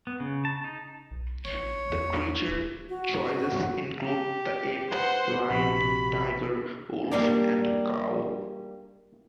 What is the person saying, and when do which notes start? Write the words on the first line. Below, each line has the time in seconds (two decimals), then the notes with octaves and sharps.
The creature choices include the ape, lion, tiger, wolf, and cow.
0.07 B3
0.20 C#3
0.45 A5
0.64 D#4
1.11 B1
1.45 A1 C#5
1.90 E2
2.48 D#1
2.89 F#4
4.04 G4
4.91 B4 C5 F#5
5.50 A#1 C3 F#4 B5
7.12 G3 A#3 D4